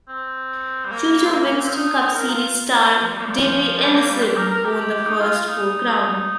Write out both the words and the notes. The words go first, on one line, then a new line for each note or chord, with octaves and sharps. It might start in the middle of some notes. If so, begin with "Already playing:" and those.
Future Winston Cup Series star Davey Allison won the first Four Crown.
C4
G3
A#3
C4
A#3
A#3
C4
F4
D#4
A#4
F4
F3
G3
A#3
F3
G3
F3
F3
G3
A#3
G3
G4
A#4
A#4
G4
D#4
F4
F4
D#4